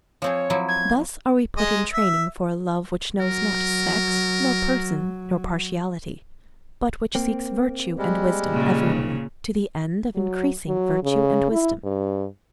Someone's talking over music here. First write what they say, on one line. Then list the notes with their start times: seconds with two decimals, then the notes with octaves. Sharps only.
Thus are we put in training for a love which knows not sex, nor person, nor partiality, but which seeks virtue and wisdom everywhere, to the end of increasing virtue and wisdom.
0.22 F3 C4 G#4 C#5
0.50 F3 F#3 E4
0.68 G#6
1.57 G#3 D#5
1.93 E5
3.21 F#3 A#4
7.15 A#3 C4
7.98 G3 G#3
8.50 A#2 C#3
8.87 C2 D#3
10.15 F#3
10.68 F#3
11.04 C#3
11.52 E4
11.84 G2